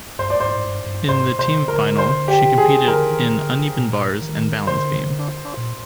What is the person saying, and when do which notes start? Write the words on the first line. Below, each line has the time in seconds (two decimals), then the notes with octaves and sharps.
In the team final, she competed in uneven bars and balance beam.
0.19 G2 C5
0.30 D5
0.40 G#2 C5
0.56 G#2
0.64 G2
0.86 G2
1.08 G#2 C5
1.38 C3 C5
1.62 C3
1.68 D3 A#4
1.98 C5
2.28 G4
2.58 G#4
2.88 D3 A#4
3.10 D#3
3.32 D3
3.77 A#2
4.22 D#3
4.67 D3 C5
5.57 A#2